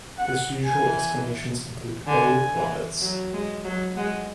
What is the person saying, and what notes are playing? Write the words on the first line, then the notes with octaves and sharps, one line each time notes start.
His usual exclamations include Oh, Globbits!
F#5
G#5
E3
D3 G#5
E3
F#3
G#3
F#3
G#3 F#5